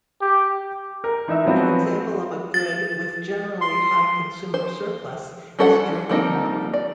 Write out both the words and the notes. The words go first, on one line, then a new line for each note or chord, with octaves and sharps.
An example of a good with generally high consumer surplus is drinking water.
G4
A#4
E3 D#4 E5 E6
F3 F#3 B3 C4 F#4
A6
C6
C5
G3 C#4 A4 C5 F#5
F3 G3 A#3 C4 D#4
D5